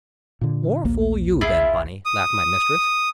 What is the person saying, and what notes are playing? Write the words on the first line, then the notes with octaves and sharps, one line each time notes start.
"More fool you, then, Bunny," laughed my mistress.
A#2 D3
A#1 D#2 A#3
E4 F4 G#4
D#6